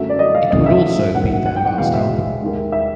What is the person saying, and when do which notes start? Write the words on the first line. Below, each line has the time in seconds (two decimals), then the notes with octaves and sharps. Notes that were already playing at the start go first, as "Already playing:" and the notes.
It would also be their last album.
Already playing: F#2 D3 F#3 A3 E5
0.10 D5
0.19 D#5
0.35 F5
0.51 E2 C#3 F#3 A3 D#5
0.66 E5
1.15 G2 D#3 F#3 A#3 F#5
1.46 F#5
1.56 G5
1.66 F#5
1.78 E2 B2 G#3 F5
1.94 E5
2.41 D#2 D#3 G#3
2.72 E5